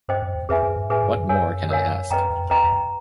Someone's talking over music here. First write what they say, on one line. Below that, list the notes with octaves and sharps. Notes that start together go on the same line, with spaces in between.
What More Can I Ask?
G2 C5 D#5 G5
F#2
E2
F2 G#4 B4 E5 G#5
F#2
G2
A2 G#4 B4 E5 G#5
G2
F#2
F#2 A#4 C#5 F5 G#5
A#4 C#5 F5 G#5
F#2 B4 D#5 G5 A#5
F2
E2 B4 D#5 G5 A#5
F2
F#2